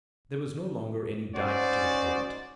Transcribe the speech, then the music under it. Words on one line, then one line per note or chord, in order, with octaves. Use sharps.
There was no longer any dike to the torrent.
C#4 D#4 F#4 C5 D5